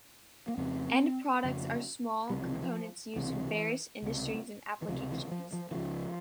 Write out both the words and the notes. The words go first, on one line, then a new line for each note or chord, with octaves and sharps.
End products are small components used in various industries and applications.
A#3
F2 C#3 C4
F2 C#3
C#2 C3 G3
F3
E3
F3
C#2 C3 E3
C#2 C3
E3
C#2 C3 F3
E3
E3
F3
F3
E3
C#2 C#3 F3